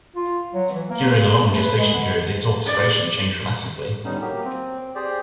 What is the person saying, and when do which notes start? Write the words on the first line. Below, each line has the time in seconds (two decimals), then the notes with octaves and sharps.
During a long gestation period its orchestration changed dramatically.
0.15 F4
0.54 F#3
0.70 E3
0.90 A#3
1.11 C#3
1.46 A3
1.59 B4
1.78 G#3
1.93 D3
2.66 D5
4.05 D3 G3 B3 C#4 D#4
4.21 F#3 A#3 G4
4.44 C4
4.95 G4 G#4 C5 D5